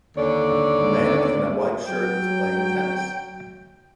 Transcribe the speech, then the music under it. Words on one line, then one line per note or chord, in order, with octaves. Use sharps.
A man in a white shirt is playing tennis.
D#2 D3 C#5 D5
F#3 G5